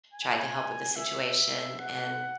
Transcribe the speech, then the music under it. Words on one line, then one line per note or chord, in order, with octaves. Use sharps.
tried to help with the situation, and
G#5
E5
F#5